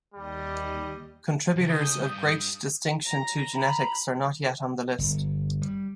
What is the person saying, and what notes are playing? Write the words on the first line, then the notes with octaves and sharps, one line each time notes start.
Contributors of great distinction to genetics are not yet on the list.
D#2 G3 D#5
C#2
D#6 G6
G2
A#5
A#5 B5
G1
G3